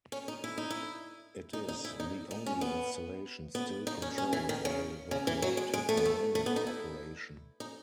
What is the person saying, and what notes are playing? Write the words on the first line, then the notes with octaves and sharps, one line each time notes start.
It is the only installation still controlled by the Galactic Mining corporation.
C#4
D#4
E4
D#4
E4
D#4
D#4
E4
D#4
D#4
C#4
B3
B3
D#4
C#4
C#4
E3
D#3
C#3
C#3
E3
F#3
G#3
G#3
A3
B3
A3
A3
B3
D#4
E4
D#4